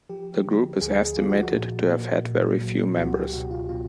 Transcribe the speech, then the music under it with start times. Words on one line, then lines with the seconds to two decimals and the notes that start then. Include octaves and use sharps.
The group is estimated to have had very few members.
0.09 F3 G4
0.45 D3
0.81 D2 G#4
1.05 G#4
1.17 F3 F4
1.29 F#4
1.53 A#2
1.89 A#3
2.25 A#2
2.61 F#3
2.97 C#2 F#4
3.15 G4
3.33 B2 F#4
3.51 F4
3.69 B2 F4